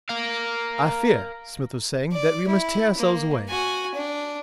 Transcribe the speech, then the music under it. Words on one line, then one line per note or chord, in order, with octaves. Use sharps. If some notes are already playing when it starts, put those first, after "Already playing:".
'I fear,' Psmith was saying, 'that we must tear ourselves away.
A#4 F5
D5
E4
A#3
F#4 G#5
D4